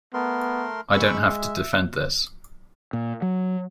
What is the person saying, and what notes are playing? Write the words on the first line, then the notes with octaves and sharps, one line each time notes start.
I don't have to defend this.
A3 B3 A#4 C6
G#3 B5 C#6 E6
E5
A#2
F#3